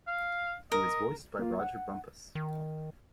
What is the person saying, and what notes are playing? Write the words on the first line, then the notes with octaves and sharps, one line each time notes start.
He was voiced by Rodger Bumpass.
F5
A#4 D#5
A#3 F4
F#5
D#3